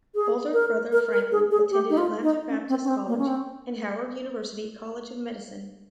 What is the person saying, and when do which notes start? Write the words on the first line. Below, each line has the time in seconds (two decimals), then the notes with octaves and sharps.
Older brother Franklin attended Atlanta Baptist College and Howard University College of Medicine.
0.15 G#4
0.53 A#4
0.92 A#4
1.13 A#4
1.32 G#4
1.51 G#4
1.71 G4
1.90 D#4
1.98 F4
2.23 D#4
2.49 C#4
2.69 C4
2.84 C#4
2.88 C4
3.08 A#3
3.19 C#4
3.27 C4